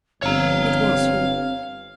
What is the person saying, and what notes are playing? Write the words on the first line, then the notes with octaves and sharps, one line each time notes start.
It was he.
G1 C4 C#5 F5 A#5